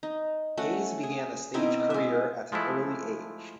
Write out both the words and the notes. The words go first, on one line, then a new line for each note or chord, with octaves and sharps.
Hayes began a stage career at an early age.
D#4
A3 C#4 F#4 F#5
G#4
B2 C4 D#4 E4
G#3 E5
F3 G#3 A3 E4